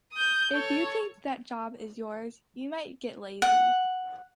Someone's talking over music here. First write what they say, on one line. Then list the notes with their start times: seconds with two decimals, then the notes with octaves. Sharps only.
If you think that job is yours, you might get lazy.
0.13 D#6 G6
0.52 A4 C#5
3.42 F#5